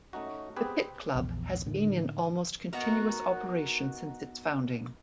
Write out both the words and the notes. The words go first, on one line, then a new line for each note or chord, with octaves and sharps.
The Pitt Club has been in almost continuous operation since its founding.
A3 C#4 D#4 F#4
B3 C4 G4 G#4 B4
A#1 E2
A2 D3 D#3
B3 D#4 F#4 A#4